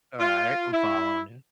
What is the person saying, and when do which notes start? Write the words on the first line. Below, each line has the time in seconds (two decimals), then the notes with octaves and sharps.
All right, I'm following you.
0.19 F4
0.72 E4